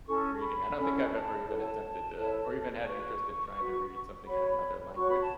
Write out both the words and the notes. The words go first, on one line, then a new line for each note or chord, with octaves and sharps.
reading. I don't think I've ever even attempted to or even had an interest in trying to read something in another language.
C#4 E4 A4 C#6
B5
C#4 E4 A4 B5
A5
E4 A4 C#5 A5
F#5
A5
E4 A4 C#5
F#4 B4 C#6
F#4 B4
F#4 C#5 B5
B5
F#4 C#5 C#6
B5
A5